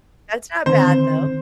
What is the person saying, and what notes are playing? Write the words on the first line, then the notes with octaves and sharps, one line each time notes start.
That's not bad, though.
D3 D#3 C4 C5